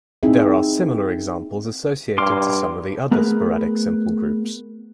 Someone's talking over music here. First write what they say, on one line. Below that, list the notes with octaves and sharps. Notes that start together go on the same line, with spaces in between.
There are similar examples associated to some of the other sporadic simple groups.
C4 D#4 E4 G#4 E5
G2 C6 D6 F6
A3 B3 G#4 A#4 B4